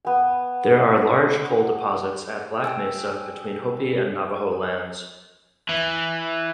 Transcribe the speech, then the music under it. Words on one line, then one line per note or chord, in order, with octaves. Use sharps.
There are large coal deposits at Black Mesa between Hopi and Navajo lands.
B3 G#5
G5 G#5 E6
E3